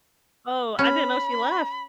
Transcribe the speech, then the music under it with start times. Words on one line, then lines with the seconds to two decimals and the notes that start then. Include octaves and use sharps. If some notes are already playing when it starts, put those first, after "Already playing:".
Oh, I didn't know she left.
0.79 C#4 B5